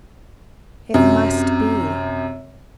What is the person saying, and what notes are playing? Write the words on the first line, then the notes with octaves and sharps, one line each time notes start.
"It must be."
F#2 C3